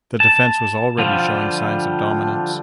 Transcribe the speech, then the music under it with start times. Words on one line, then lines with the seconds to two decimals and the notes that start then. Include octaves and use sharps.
The defense was already showing signs of dominance.
0.20 A5
0.99 D3 F3 G3 F4